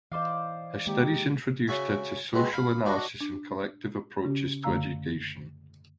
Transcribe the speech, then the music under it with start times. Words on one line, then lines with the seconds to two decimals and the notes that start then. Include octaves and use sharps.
Her studies introduced her to social analysis and collective approaches to education.
0.12 E3 C5 D5 D#5 F5
0.86 D#3 G#3 A#3 D#4 G4
1.67 C#3 F#4 E5 G#5
2.33 B2 G#3 B3 C4
2.53 F5 B5
2.86 F#3 D4 D#4 F#4
3.21 D4
4.24 C#3 C#4 G4
4.63 F#2 D3 A3 F5 A#5 E6